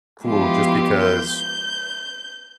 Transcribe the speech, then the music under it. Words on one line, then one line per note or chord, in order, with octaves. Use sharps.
cool just because
F3 G#3 B3 E4 F4 G4
G6